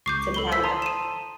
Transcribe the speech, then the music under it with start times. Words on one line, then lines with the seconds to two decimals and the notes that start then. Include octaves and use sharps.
to kinda
0.06 C#2 C#6 D6 G6 C7
0.34 A4 B5 G7
0.52 C5 E6 B6
0.64 A5 A#5 C6 D#6
0.82 D#7 E7